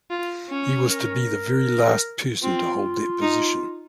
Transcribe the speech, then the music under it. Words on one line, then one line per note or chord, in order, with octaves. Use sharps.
He was to be the very last person to hold that position.
F4
C#4
A#4
C4 F4
D#4